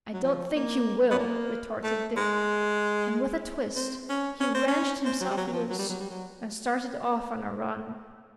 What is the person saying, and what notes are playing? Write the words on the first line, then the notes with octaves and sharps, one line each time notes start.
"I don't think you will!" retorted Dick, and with a twist he wrenched himself loose and started off on a run.
F#3
F3
A#3
B3
A#3
A3
G#3
C4
C#4
C#4
C4
C#4
C4
F#3
G3
F#3
F#3
F3
F#3
G3
F#3
G3
F#3